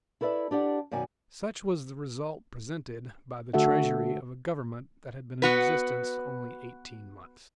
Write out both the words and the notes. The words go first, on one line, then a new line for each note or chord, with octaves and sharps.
Such was the result presented by the Treasury of a Government that had been in existence only eighteen months.
E4 A4 B4 D5 E5
D4 G4 D5 F#5
F#2 B2 D#3 D5 G#5
D3 A3 F#4 A4 E5 F#5
B3 F#4 B4